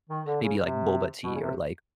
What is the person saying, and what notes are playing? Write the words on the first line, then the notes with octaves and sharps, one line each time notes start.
maybe, like, boba tea or, like,
D#3
D3
C#3
C3
B2
C#3
C3